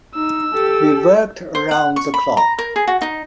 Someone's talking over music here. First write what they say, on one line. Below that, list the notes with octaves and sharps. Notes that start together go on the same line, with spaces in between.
We worked around the clock.
D#4 E6
G4 A4
C5
F#5
C#6
B5
A#5
A#4
G#4
F#4
D#4